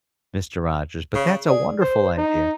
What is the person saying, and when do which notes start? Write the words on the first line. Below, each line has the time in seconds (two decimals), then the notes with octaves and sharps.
Mister Rogers, but that's a wonderful idea.
1.15 C#3
1.48 G#4 D5
1.81 C5
2.18 D#4